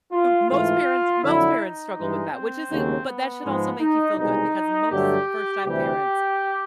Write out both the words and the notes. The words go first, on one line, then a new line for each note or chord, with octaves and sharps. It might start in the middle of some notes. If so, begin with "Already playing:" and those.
Most parents most parents struggle with that, which is a but that should also make you feel good because most first-time parents
F4
G#2 E3 A3 F4
F2 D3 F#3 E4
D#4
G2 E3 G#3
C4
D#2 C#3 F#3
B3
G#2 F3 G#3
D#4
C2 B2 G#3 D#4
G2 D3 F#3 A3 G4
D2 C3 E3 G3 G4